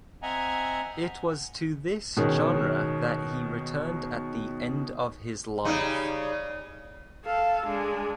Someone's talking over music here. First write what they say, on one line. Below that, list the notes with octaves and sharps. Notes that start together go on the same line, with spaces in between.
It was to this genre that he returned at the end of his life.
C4 D#5 E5 F#5 G#5 A#5
B2 D#3 G#3 C#4
C#3 G3 D#4
A4 F5
G#3 D4